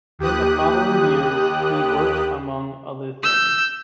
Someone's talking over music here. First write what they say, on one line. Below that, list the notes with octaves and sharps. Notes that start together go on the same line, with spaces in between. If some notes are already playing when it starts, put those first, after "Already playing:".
In the following years he worked among other things.
D#2 G4 D#6 F#6
E6 G6